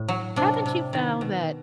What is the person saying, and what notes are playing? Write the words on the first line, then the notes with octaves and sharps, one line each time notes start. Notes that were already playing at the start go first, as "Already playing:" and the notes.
haven't you found that,
Already playing: A2
F#3
C3 D4
C3
D#3
B2